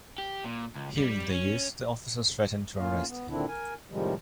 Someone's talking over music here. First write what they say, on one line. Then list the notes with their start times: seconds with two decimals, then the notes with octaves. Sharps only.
Hearing the youth, the officer threatened to arrest him.
0.18 G4
0.44 A#2
0.75 C#2
0.97 G3
1.31 C#4
2.78 A2 A#3 C#4 F4 F5
3.08 B3
3.29 A#2 D3 D#3 C4 D4 E4
3.48 A#4 G#5
3.91 A2 C3 D#3 F3 G3 G#3